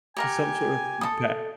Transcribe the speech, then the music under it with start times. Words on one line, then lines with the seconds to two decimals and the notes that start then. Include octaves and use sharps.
Some sort of m pa
0.17 G4 A#4 F#5 G#5
1.01 A4 D#6